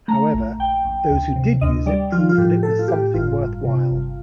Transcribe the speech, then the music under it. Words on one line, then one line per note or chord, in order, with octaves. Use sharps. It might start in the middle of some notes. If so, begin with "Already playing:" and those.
However, those who did use it proved that it was something worthwhile.
A3 A#5
A#1
A#1 G5
A#1
D2
C3
D2 D#5
G3 D5
F3 F4
F4
A2 G4
A2 A4
F4
A2 G4
G1 F4
G1
C3
G1